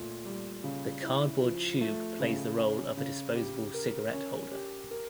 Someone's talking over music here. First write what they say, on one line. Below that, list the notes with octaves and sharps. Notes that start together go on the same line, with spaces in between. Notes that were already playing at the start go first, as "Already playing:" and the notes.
The cardboard tube plays the role of a disposable cigarette holder.
Already playing: A#2 A3
G3
C#3
E4
F3
A3
C#3
C#4
C#3
G4
A#4
C#4
G4
A#4